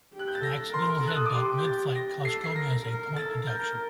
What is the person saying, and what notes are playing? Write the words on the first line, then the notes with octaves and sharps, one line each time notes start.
An accidental headbutt mid-fight cost Gomez a point deduction.
G4
F#6
G6
A6
A4 A#6
A#4 C6
A4 F#6
D#6
D6
G4 C6
G6
A6
G4 A#6
A4 C7
C7
A#4 A#6
A#4
A4 A6
A#4 G6